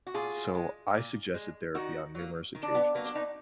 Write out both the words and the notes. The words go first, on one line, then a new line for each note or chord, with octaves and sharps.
So, I suggested therapy on numerous occasions,
F#4
A#2 F4 G#4
G#3
A#2
G#3
D#3 D#4 F#4
F#3 A#3
D#3
D4
B3
F#3 A#3 B3
D4
B3 D#4